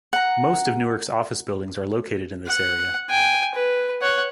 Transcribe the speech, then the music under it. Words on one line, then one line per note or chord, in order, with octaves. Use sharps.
Most of Newark's office buildings are located in this area.
F#5 A#5
F#5
G5 G#5
B4
C#5 F#5